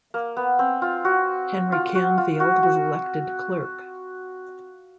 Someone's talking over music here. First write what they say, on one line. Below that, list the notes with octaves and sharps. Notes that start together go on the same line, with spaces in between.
Henry Canfield was elected clerk.
A#3
B3
C4
F4
F#4
F4
F#4
F4
F#4
F#4